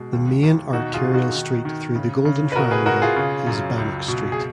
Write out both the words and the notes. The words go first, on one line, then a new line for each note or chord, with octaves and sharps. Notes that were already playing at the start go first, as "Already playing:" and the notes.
The main arterial street through the Golden Triangle is Bannock Street.
Already playing: B2 G#3
D#2
D#2
B2 D#4 F#4
F4 G#4
B2
D#4 F#4
D#3
D#3
C#3
C#3
B4
B2 F#4 A#4
G#4 B4
B2 F#4 A#4
F4 G#4
C#3
F#2
C#2
B2
G#4